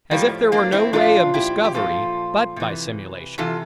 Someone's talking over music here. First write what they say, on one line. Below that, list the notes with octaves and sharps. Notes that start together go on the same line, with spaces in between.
As if there were no way of discovery, but by simulation.
A2 F3 G3 A#3
A#3 D4
C4 E4
A#2 F3 D4 F4
E4 G4
G4
A#2 F3 F4 A4
C3 E3
C3 E3 F4 A4